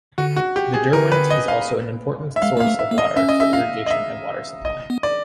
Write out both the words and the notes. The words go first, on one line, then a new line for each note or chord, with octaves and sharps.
The Derwent is also an important source of water for irrigation and water supply.
D3 F#4
F#4
G4
G#4
D3 A#4
B4
D#5
F5
E5
G#3 F5
A#3 F5
A3
E5
A#3
D#5
C#4 E5
D#5
E5
F5
D#5
E5
D#5
B3
D5